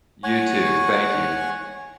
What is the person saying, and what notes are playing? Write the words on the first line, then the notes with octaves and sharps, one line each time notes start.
You too, thank you.
C#5 F#5 G#5 C#6